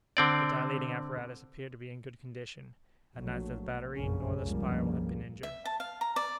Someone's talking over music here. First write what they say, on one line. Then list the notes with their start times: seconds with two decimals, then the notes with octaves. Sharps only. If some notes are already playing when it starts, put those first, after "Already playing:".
The dilating apparatus appeared to be in good condition, and neither the battery nor the spiral had been injured.
0.17 D3 C4 D5
3.15 A#1 F#3 A3
3.98 F1 A#1 F#2 C#3 C#4
4.41 F1 C#2 G2 F3 G3 A#3
5.43 E5
5.65 A5
5.80 F5
6.01 A#5
6.16 D5